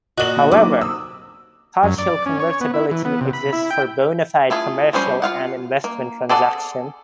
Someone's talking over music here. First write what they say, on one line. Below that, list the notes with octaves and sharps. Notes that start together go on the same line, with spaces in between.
However, partial convertibility exists for bona fide commercial and investment transaction.
A#2 F#4 D#5 F#7
D3
C3 F#3 A#3 D#4 D6
D#6 E6
F#2
D5
C#4
C#5
B3
E4
E3
B3
C3
B5
E4
G5
A3 E4 F4 G#4
F3 G3 C#4 C5
F4 F5 F#5
A#3
G#4 A4 D5 D#5 F#5